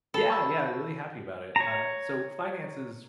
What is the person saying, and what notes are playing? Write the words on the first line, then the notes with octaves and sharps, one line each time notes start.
Yeah, yeah, really happy about it. Uh, so finances
A4 B5
A5 C#6 E6
C#5 A#5